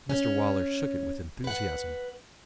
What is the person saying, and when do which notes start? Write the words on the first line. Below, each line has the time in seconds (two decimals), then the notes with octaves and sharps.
Mr Waller shook it with enthusiasm.
0.09 C#4
1.44 B4 F#5